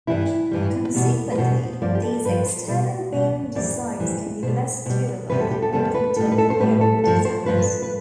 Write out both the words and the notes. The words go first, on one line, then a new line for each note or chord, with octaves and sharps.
Consequently, these external bearing designs can be less durable than older internal bearing designs.
G2 E3 G3 E4
G2 E3 G3
E2 B2 G3
B4
E2 B2 G3 C5
G2 F3 D5
G4
A4
G2 F3 B4
C5
B2 G3 D5
B2 G3
F2 E3 G3 D5
F2 E3 G3
B2 G3 C5
B2 G3
E2 C3 G3 B4
A4
G4
A4
E2 C3 G3 A4
B4
A2 G3 A4
B4
A4
C5
A2 G3 B4
A4
G2 F3 A4
C5
G2 F3 B4
B4